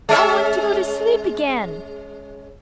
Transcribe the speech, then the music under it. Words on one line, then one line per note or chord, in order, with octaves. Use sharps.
"I want to go to sleep again."
G#3 C#4 E5